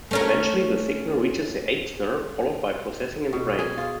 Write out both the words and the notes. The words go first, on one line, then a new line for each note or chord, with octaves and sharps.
Eventually the signal reaches the eighth nerve, followed by processing in the brain.
A3 C#4 A#4
B2
G#4
F4